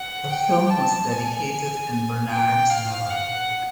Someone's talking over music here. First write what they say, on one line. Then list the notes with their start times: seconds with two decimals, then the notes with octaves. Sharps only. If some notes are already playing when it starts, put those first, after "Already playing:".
The film was dedicated in Bernard's memory.
Already playing: F#5
0.30 G5
0.70 A5
1.11 G#5
2.30 G5
2.70 F5
3.10 F#5